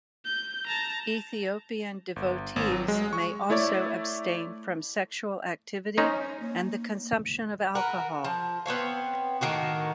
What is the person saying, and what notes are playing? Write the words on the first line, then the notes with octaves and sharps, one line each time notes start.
Ethiopian devotees may also abstain from sexual activity and the consumption of alcohol.
G6
A5 A#5
G1
G#1
F#3
G#3
C#6
A3 E4 C#5 D5
C#4 D#4 C5 C#5
A#3
F#4 A#4 B4
F3
B3 C4 C#5 F5
A2 D#3 A#3 F#4